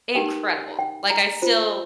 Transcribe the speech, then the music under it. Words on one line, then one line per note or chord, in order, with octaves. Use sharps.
incredible, like, I still
D#4 G4 A#4 G5
G5
A#5
F4 C5